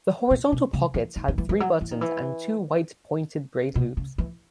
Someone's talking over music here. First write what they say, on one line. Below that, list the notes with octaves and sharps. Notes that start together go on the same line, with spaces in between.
The horizontal pockets had three buttons and two white pointed braid loops.
A#2
B2
C#3
E3
D#3
D#3
E3
E3
F#3
E3
D#3
E3
B2
C#3
E3